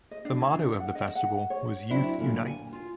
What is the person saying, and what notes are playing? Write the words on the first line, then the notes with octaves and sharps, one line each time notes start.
The motto of the festival was: Youth Unite!
D#5
D4
E4
D4
F#5
D#5
F#5
C#5
F#3 C4 D4 E4
F#2 A#2 D3
G#5
F4